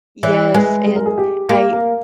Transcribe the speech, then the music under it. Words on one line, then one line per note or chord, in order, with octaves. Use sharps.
Yes, and I
E3 C#5
G#3 B4
G#4
A#4
G#4
G4
A#3 G4
A#4